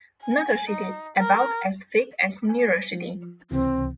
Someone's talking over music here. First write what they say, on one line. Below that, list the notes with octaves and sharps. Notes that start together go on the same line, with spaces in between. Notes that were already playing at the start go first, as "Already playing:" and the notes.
Notochaetae about as thick as neurochaetae.
G#5
D#4
A#4
G#5
F3
C#2 C3 E3 C4